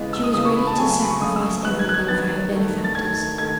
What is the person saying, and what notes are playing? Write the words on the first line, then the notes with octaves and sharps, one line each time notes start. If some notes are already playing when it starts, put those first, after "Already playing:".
She was ready to sacrifice everything for her benefactors.
Already playing: C#3 E3 G#3 B3
E6
D#6
C#3 E3 G#3 B3 D#6
C#6
B5
A5
C#3 F#3 A3 G#5
G#5
B5
C#6
C#3 F#3 A3 D#6
E6
D#3 F#3 B3 F#6
G#6
F#6
G#6
D#3 F#3 B3 A6
D#3 A3
A6
D#3 A3 G#6
D#3 A3 G#6